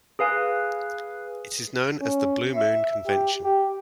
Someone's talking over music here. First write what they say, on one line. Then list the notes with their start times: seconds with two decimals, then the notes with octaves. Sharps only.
It is known as the "Blue Moon" convention.
0.19 G#4 B4 F5 G#5
2.01 C#4
2.55 E5
3.07 G4
3.43 G4